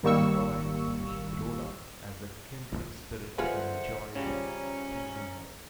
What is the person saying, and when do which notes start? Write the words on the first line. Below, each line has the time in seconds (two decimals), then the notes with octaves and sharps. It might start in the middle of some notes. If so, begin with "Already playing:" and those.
Leroy sees Rhoda as a kindred spirit and enjoys teasing her.
0.03 G#1 D#3 G3 A#3 C#6 E6
3.38 D3 F4 G#4 B4 C5 E5 F#5
4.15 C#3 F3 G3 C#4 A#5